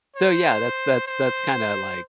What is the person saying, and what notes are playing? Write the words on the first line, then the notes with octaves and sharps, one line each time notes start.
so, yeah, that's that's that's kinda, like,
C5
C5